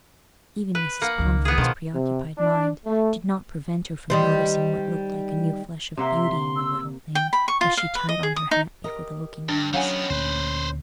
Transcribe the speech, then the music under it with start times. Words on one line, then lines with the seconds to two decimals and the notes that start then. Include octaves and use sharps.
Even Mrs. Pomfret's preoccupied mind did not prevent her from noticing what looked like a new flush of beauty in the little thing as she tied on her hat before the looking-glass.
0.75 B4
1.02 A#3 F#5
1.19 C#2 D#3
1.45 B3 G#4
1.58 B2 D#3 F3
1.94 C3
2.38 D4
2.86 A3
4.10 D#3 G3 C5
5.97 C3 A#3 E5 F#5 C6
6.56 E6
7.15 G5
7.33 B5
7.48 C#6
7.61 F4
7.77 F5
7.95 B4
8.09 D#5
8.23 G#4
8.36 D#6
8.51 D#4
8.84 G4 A#4 D#5
9.49 G2 D4
9.74 D#3 F#3 B3 C#4 G#4 F5 F#5 G#5
10.10 D2 A#2 B4 C5